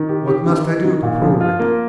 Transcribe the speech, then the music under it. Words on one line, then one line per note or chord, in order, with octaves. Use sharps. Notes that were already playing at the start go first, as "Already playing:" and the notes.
"What must I do to prove it?"
Already playing: D#3
G4
G4
D#3
D#4
D#3
A#2
F3
F4
A#3